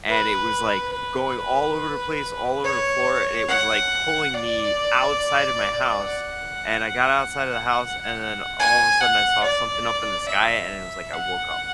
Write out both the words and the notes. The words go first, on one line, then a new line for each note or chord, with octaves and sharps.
And it was like going all over the place, all over the floor, and it was like pulling me outside of my house, and I got outside of the house, and then all of a sudden I saw something up in the sky, and it was like I woke up.
B4
B4
C#5
F#5
D5
F#5
G#5
F#5
D5
E5
F#5